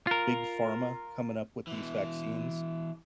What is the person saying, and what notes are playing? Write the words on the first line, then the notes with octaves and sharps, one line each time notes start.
Big Pharma coming up with these vaccines,
F4 A#4
B2 E3